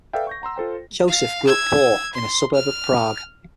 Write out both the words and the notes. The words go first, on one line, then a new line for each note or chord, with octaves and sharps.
Josef grew up poor in a suburb of Prague.
A4 B4 D5 E5 F5 G5
C#6 G6 A#6
F#5 A#5 C6 E6
F4 A4 C5 G5
F5
E6 G#6
C6
F6